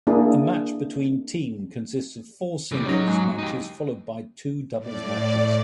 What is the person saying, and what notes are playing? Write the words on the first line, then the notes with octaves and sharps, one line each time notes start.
A match between team consists of four singles matches followed by two doubles matches.
A#3 D4 E4 G#4
E3 G3
F#3 C#4 D#4
G#2
D#4 G4
A2 D5